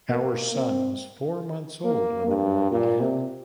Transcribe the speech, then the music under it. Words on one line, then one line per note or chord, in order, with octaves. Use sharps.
Our son was four months old when the war began.
A#3
C4
A#3
G2
A#2
C3